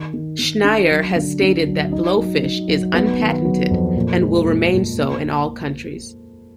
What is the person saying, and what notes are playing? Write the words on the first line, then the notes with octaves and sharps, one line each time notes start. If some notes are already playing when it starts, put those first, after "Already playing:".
Schneier has stated that, Blowfish is unpatented, and will remain so in all countries.
Already playing: D#3
D#3
D#3
D4
F#3
D3
D4
F#3
D#4
F#3
D#4
F#3
B3
D#3
F#3
F2
A#2
G#3
A#2
A#2
A#3